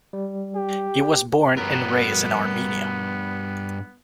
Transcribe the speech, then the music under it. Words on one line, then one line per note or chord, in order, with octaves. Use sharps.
He was born and raised in Armenia.
G3
G4
G2 B3 A#4